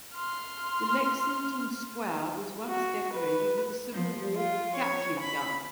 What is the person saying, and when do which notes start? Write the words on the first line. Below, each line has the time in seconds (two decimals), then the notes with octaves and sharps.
The Lexington Square was once decorated with a Civil War Gatling gun.
0.16 C6 F6
2.68 F#4
3.13 B4
3.91 F3
4.36 F4
4.77 C#5
5.21 B5